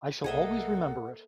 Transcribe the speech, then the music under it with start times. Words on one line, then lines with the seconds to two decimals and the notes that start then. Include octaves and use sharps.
I shall always remember it.
0.24 C2 A#3 G#4 A4 D#5 E5 F#5